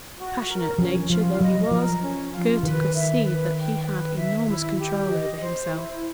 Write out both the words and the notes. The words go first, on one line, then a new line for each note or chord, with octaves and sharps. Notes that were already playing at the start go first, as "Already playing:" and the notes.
Passionate nature though he was Gerty could see that he had enormous control over himself.
F#4
A#4
F3 C#4
F3 F4
F#3 D#5
F3 A#4
C#4
F4
D#3 B4
E5
B4
G5
B4
E5
E4
G4
D#5
C5
E4